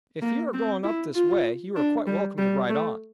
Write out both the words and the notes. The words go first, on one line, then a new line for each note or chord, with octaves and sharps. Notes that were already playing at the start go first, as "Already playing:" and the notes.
"If you are going up this way, you are quite welcome to ride on."
A#3
C4
E4
F4
D4
G3
G3
A3